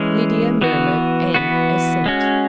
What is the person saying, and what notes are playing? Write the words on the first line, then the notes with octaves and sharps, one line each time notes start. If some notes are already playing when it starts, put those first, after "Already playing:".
Lydia murmured an assent.
Already playing: E3 G#3 C#4
E3 B3 F#4
E3 B3 F#4
G#3 C#4 F#4